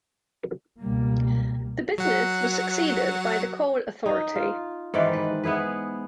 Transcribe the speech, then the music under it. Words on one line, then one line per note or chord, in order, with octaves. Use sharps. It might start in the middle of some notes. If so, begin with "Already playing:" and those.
The business was succeeded by the Coal Authority.
C#2 B2 G3 A#3
F#3 F#5
D#4
F4
G#2 D#3 E3 D5
B4
B3 E4 G#4 B4